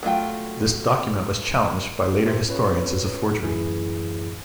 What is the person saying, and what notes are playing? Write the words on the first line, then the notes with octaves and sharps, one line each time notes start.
This document was challenged by later historians as a forgery.
F#3 A3 F4 G5
G4 A4 A#4 C5 E5
C#4 F4 B4 C#5
F#2 A2 E3 E4 G#4